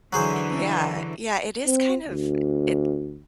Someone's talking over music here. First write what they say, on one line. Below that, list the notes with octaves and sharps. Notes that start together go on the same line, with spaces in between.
Yeah, yeah, it is kind of it
D3 E3 F#3 G#4 C5
C4
D2